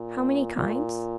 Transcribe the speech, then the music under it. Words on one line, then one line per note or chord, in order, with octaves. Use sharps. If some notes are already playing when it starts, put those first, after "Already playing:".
How many kinds?
Already playing: A#2
A#2